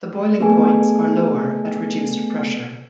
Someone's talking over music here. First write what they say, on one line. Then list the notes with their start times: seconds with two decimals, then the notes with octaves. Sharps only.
The boiling points are lower at reduced pressure.
0.40 A3 B3 G#4 A4 G#5